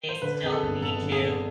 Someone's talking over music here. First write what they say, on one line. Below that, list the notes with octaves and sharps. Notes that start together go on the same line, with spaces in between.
They still need you.
C5
D3 B4
F2 G#4
A4
G1
D3 A4
D3
G#4
D3